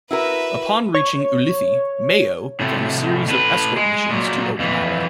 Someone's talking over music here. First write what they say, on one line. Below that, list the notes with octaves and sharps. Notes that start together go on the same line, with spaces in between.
Upon reaching Ulithi, "Mayo" began a series of escort missions to Okinawa.
E4 F#4 A#4 B4 E5
C#5
A2 C3
A2 B4
G#3
A#2 F#3
F2 E3